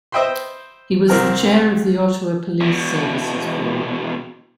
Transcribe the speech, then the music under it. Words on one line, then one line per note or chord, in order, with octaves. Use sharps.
He was the chair of the Ottawa Police Services Board.
C5 D#5 E5 G5 B5 C6
C2 C4 A#4 F6
E2 B2